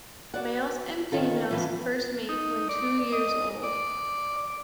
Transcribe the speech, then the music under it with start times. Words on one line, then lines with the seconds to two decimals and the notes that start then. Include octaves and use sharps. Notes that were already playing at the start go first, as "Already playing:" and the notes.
Males and females first mate when two years old.
0.34 F#4 D5 F#5
1.12 D#3 C#4 F4 A4
1.51 E3 F3 B3
2.29 D#4
2.69 D5
3.12 D#5
3.63 D5